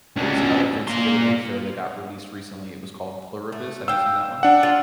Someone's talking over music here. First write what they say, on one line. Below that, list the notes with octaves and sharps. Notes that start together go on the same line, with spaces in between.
There was another Vince Gilligan show that got released recently, it was called Pluribus. Have you seen that one?
C#2 D3
A#2 C6
A3
F5 G5 E6
D4 F#5
F4